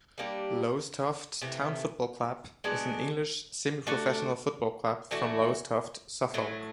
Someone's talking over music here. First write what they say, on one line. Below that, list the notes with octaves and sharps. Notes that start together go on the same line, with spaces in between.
Lowestoft Town Football Club is an English semi-professional football club from Lowestoft, Suffolk.
G3 A#3 D4 G4
C3 E3 A3
G#3 B3 D4 F#4
A3 D4 F#4 A4
E3 A3 D4 F#4
A2 F#3 A3